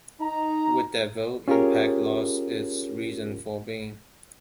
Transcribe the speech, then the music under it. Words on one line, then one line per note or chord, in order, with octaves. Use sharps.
With that vote, Impact lost its reason for being.
D#4 A#5
C#4 F4 G4 G#4 A#4 C#5